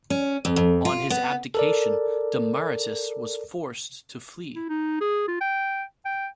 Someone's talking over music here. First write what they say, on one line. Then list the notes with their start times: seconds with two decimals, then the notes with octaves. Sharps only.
On his abdication, Demaratus was forced to flee.
0.10 C#4
0.45 F2
0.56 F2
0.85 F4
1.10 B3
1.55 A4 A#4 D5
4.56 E4
4.69 D#4
5.01 G#4
5.28 F4
5.41 G5
6.05 G5